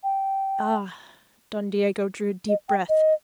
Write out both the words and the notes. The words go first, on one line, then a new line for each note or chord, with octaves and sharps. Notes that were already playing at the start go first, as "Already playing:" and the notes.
"Ah!" Don Diego drew a deep breath.
G5
D#5
G5
D#5